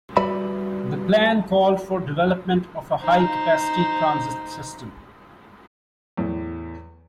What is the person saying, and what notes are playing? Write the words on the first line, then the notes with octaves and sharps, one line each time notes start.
The plan called for development of a high-capacity transit system.
G3 F#4 B4 D5 E5 B5
D#4 C5
E2 A2